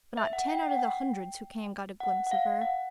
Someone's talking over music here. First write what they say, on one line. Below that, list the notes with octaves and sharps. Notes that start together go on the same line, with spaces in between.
But not ten out of the hundreds who came got a glimpse of her.
E5
F#5
G5
G5
F#5
G5
F#5
F#5
F5
F#5